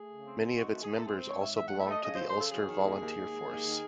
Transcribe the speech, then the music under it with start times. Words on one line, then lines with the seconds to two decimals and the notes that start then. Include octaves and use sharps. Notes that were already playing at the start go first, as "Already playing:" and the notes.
Many of its members also belonged to the Ulster Volunteer Force.
Already playing: A3 G#4
0.08 C#3
0.24 C4
0.41 C4
0.56 D#3 F#4
0.68 A3 F#4
0.81 G#4
0.89 A3 A4
1.04 C4 G#4
1.17 G#2 C5
1.29 C#5
1.38 G#2 E5
1.53 E2 E5
1.66 A3 F#5
1.79 E5
1.86 A3
1.91 D#5
2.02 C#3 D#5
2.14 C5
2.19 F#3
2.27 C5
2.35 C#3 A4
2.50 F#3 G#4
2.67 D#3
2.83 D#2
3.00 D#2
3.16 D#2
3.32 G#3
3.48 D#2
3.64 D#3